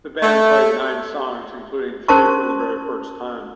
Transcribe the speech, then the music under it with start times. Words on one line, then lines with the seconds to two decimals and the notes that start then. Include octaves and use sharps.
The band played nine songs, including three for the very first time.
0.22 A3
2.08 C#4 A#4 C5 A5 C6 C#6